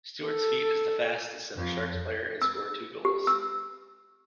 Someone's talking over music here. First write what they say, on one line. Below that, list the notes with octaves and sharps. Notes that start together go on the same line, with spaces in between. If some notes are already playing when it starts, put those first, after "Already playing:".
Stuart's feat is the fastest that a Sharks player has scored two goals.
A4
F2
E6
G4
E6